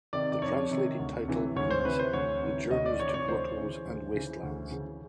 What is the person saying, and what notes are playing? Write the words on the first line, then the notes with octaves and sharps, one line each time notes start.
The translated title means "The Journeys to Grottoes and Wastelands".
C3 D#3 D5
D5
F2 C#5
C3 D#3
D2
C3 E3
D2 C#5
C5
C3 E3 B4
C5
D2 C#5
C3 E3
D2 D#5
D5
C3 E3 C#5
D5
C#5
D2 C5
C#3 E3
D2
C#3 E3
D2
C#3 E3